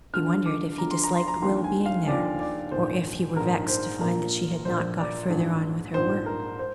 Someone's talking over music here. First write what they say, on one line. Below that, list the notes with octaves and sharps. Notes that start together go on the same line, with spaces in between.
She wondered if he disliked Will being there; or if he were vexed to find that she had not got further on with her work.
D2 D3 F3 F6
D6
D2 D3 F3 A#5
C6
A#5
C6
A#5
D#2 D3 F3 C6
G#5
F5
D#2 D3 F3 D5
D5
A#1 G#2 D#3 C5
A#1 G#2 D#3 A#4
C5
A#1 A#2 F3 A#4
A#1 A#2 F3 C5
D5
A#1 G#2 F3
A#1 G#2 F3 C5
A#4
C5